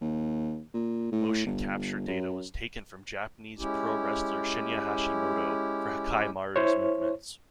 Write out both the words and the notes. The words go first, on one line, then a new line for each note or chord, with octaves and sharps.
Motion capture data was taken from Japanese pro-wrestler Shinya Hashimoto for Hakaimaru's movements.
D#2
A#2
A2
G1
F#2
G#3 C#4 E4 G4
E4 C5 C#5